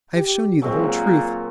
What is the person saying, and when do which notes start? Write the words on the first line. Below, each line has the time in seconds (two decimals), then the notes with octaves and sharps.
I have shown you the whole truth!
0.15 G4
0.62 A#2 F#3 G#3 C4